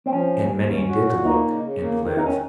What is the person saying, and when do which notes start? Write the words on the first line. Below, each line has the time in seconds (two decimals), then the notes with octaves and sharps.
And many did look and live.
0.06 C4
0.12 F3 C#4
0.31 D#2
0.51 D#2
0.68 C#4
0.88 F#4
1.06 A#2
1.25 A#3 D#4
1.44 C#3
1.63 C#3
1.81 A#3
2.00 D#3
2.17 D#3 D#4
2.27 C#4